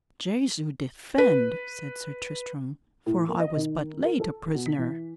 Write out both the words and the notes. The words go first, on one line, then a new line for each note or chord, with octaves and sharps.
Jesu defend! said Sir Tristram, for I was but late a prisoner.
B4
A2
A#3
D#5
D#3
A#4
A4
B2
B6
E3